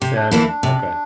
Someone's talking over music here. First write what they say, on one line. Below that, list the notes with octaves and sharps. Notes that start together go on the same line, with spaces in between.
Salmon, okay.
C3 G4
D4
E3 A#3 D4 E4
D4
C3